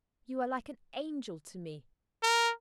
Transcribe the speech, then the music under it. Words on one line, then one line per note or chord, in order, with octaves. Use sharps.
You are like an angel to me.
A#4